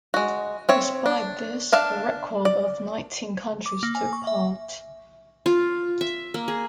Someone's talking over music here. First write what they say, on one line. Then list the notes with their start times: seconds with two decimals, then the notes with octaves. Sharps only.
Despite this, a record of nineteen countries took part.
0.14 G#3 F#4
0.69 C4 C#5 E5
1.06 D4
1.72 D4 E5 F5 A5
2.45 D5
3.66 D6
3.83 A#3
3.95 G#5
4.13 C#6
4.27 E5
5.46 F4
6.01 E5
6.34 A#3
6.48 G#4